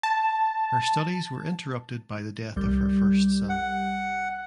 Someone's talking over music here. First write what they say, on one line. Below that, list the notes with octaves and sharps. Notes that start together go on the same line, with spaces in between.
Her studies were interrupted by the death of her first son.
A5
C2 G3 G6
F#5